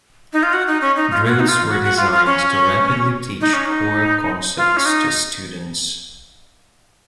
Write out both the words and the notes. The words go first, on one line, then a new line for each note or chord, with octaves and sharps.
Drills were designed to rapidly teach core concepts to students.
D#4
F4
F#4
D#4
C#4
D#4
F4
F4
F#4
D#4
F4
F#4
F#4
F4
F4
C#4
D#4
C#4
D#4
F4
C#4
D#4